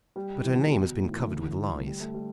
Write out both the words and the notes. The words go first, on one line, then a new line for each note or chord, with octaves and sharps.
"But her name has been covered with lies."
G3
E3
D3
B2
A2
E3
A3
D3
E3
D3
E3
A3
G3
A3
G3